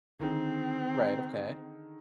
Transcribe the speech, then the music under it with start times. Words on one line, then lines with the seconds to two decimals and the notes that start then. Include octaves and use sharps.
Right, okay.
0.20 D3 D#3 C4 G#4